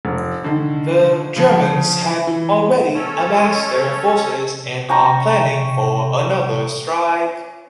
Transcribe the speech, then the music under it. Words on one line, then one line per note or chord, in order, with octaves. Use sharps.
The Germans had already amassed their forces and are planning for another strike.
F1
D3 D#3
C#3 F3
E3
C#4 A4 C#5
C#4 G5 A#5 C#6